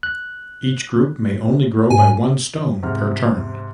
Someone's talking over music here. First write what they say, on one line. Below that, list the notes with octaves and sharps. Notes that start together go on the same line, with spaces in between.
Each group may only grow by one stone per turn.
F#6
G#2 G#5
G#2 C3 F6